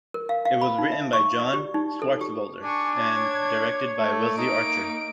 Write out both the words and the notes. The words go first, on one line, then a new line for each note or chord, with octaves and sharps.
It was written by John Swartzwelder and directed by Wesley Archer.
A#4
F5
F5
B5
D#4
E5
C#6
D5
G4
D#4
A4
G4
D4 G#5 C#6
C#5 G#6
A3
A#3 D#4 D7